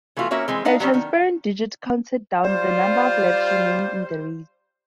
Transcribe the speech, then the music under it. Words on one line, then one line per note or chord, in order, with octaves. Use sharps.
A transparent digit counted down the number of laps remaining in the race.
E3 A3 B3 F4 F#4
A#3 C#4 F#4 A#4 C#5 E5
E3 G#3 C4
D4 D#4 F5 F#5
F#3 G3 B3 C#4
D#3
G3 F4 C5 D5